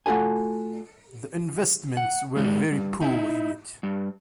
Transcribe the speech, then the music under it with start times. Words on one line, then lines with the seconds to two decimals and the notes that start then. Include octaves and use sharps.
The investments were very poor in it.
0.06 A3 F4 F#4 A4 G#5
1.97 F#5
2.36 G#2 D#3 G3 G#3
2.72 G2
3.02 D#4 E4
3.83 G2